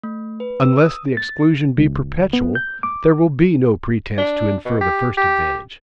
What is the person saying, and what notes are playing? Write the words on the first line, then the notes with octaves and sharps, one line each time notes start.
Unless the exclusion be perpetual, there will be no pretense to infer the first advantage.
A3
B4
E6
D#6
A6
C#2
B3
G6
D6
D4
B2
G4
G4